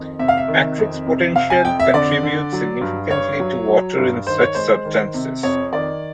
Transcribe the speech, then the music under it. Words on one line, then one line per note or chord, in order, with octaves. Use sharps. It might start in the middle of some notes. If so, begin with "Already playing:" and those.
Matrix potential contributes significantly to water in such substances.
Already playing: F2 D#3
C3 E5
F5
E5
D#3
F2
C3
C3 F5
G#5
F2 G5
E5
D3 D5
D3
F#3
G2
G2 C#5
F#3
F#3
G2
D#3 C5
C#5
G#3 C5
D#3
C3
F2 C#5
D#3 D5